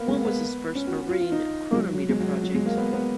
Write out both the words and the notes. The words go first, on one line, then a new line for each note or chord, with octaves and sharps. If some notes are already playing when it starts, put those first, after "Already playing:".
One was his first marine chronometer project.
Already playing: A#3 B3
G#3
A#3
B3
C#4
F#4
F#4
F4
F4
D#4
G#3
F#3
F#3
G#3
F#3
F#3
G#3
A#3
B3
B3